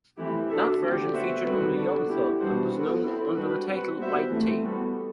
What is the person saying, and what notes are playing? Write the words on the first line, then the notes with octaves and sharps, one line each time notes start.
That version featured only Young Thug and was known under the title "White Tee".
E3 A3 C4 E4 G4
D4 F#4 A4 E5
D3 A3 C4 G4 D5
B3 F#4 C5 E5
D3 G3 C4 F#4 B4
D4 F#4 A4 D5
B3 E4 G4
E3 G3 D4 F#4 C5
B3 F#4 A4
C4 E4 A4
G3 D4 F#4 B4
C4 F#4 B4
G3 B3 F#4 C5 E5
E3 A3 C4
G3 B3 F#4 A4